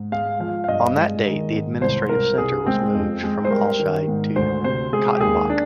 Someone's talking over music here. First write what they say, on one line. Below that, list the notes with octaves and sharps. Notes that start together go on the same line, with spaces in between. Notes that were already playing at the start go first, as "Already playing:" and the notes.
On that date, the administrative centre was moved from Alscheid to Kautenbach.
Already playing: G#2
G#3 F5
F3 F5
F5
G2 D#5
G#3
D#3
G#2
C2 C5
C2 A#4
C2 G#4
G#3 C4
F2
G#3
C5
G3 A#4
D#3
G#2
D2 C5
C3 C5
G#3 G#4
G4
D#2 G#4
D4